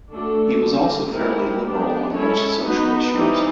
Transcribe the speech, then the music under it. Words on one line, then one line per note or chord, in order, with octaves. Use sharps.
He was also fairly liberal on most social issues.
A3 D4 F#4 A4
D3 G3 A#3
G#3 C4 E4 G4 A#4
B3 D4 G4
G#3 C#4 E4 A4 C#5
B3 D#4 F#4 B4
E3 G3 C4 D#4